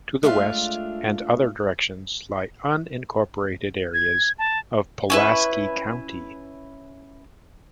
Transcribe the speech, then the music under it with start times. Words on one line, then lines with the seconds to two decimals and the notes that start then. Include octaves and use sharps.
To the west and other directions lie unincorporated areas of Pulaski County.
0.23 G#3 A3 D4 F4 E5 F5
3.94 G#6
4.39 A5
5.10 C#4 E4 B4